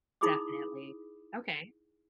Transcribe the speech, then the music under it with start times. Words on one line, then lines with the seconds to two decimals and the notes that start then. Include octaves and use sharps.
definitely, okay.
0.21 D#4 E4 G#4 B5 D6 D#6